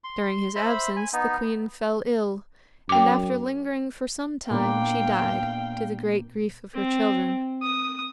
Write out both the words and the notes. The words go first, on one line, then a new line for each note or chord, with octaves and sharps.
During his absence the queen fell ill, and after lingering for some time she died, to the great grief of her children.
C6
C5 E5 B5
G#5
B3 D#4
F#2 G5 D6
A#2 B3 D4 F5 G5
C4
D#6